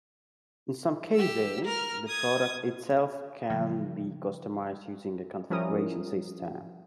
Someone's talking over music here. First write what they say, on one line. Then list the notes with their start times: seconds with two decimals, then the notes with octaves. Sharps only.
In some cases, the product itself can be customized using a configuration system.
1.15 G4 E6
1.64 A#4 F6
2.08 D#6 G#6
3.50 C#3 E3 F3 G3 A#3
5.50 F3 G3 C#4 E4 A#4 D#6